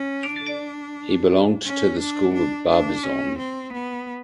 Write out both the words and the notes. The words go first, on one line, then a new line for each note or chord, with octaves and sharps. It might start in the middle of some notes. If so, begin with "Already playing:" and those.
He belonged to the School of Barbizon.
Already playing: C#4
D4
C#4
D4
D4
D4
C#4
C4
B3